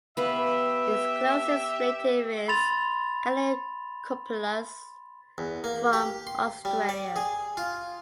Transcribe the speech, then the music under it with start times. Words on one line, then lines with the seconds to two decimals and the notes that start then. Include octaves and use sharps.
Its closest relative is "Calycopeplus" from Australia.
0.17 B3 G4 B4 E5 F5
2.48 B5 C6 A6 F7
5.38 E2
5.64 A#3
5.93 G4
6.27 C6
6.65 G3
6.89 D5
7.16 G#4
7.57 F4